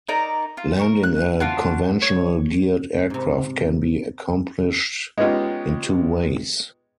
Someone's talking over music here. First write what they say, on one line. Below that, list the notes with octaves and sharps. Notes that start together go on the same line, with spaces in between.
Landing a conventional geared aircraft can be accomplished in two ways.
D#4 A#4 D5 A#5
F4
A#4 C#6
F#6
D4 F4 F#4
C#5
G#2 C3
G#3 B3 C#4 D#4 F4 G4